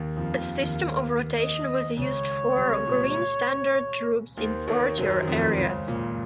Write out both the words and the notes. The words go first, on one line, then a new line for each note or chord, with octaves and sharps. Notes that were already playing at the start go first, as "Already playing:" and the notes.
A system of rotation was used for Green Standard troops in frontier areas.
Already playing: D#2 D#3
F2 F3 F5
D#2 D#3
D#2 D#3
D#5
C#2 C#3 C#5
C2 C3
A#2
D#2 D#3 C5
D#2 D#3 C#5
F#2 F#3 C5
D#3
F2 F3
C#2 C#3
A#2